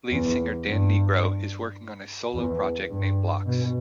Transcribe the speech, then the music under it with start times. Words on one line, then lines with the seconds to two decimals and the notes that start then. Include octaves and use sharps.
Lead singer Dan Nigro is working on a solo project, named Blocks.
0.12 E2
0.67 G2
2.34 E2
2.90 G2
3.46 B2